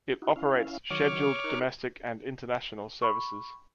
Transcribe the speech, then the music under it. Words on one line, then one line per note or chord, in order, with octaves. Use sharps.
It operates scheduled domestic and international services.
D#4 E4 F#4
C#4 E4 F5
D#3 F#3 C#5 D6 F6
D#4 A#4 F#6
B5 C#6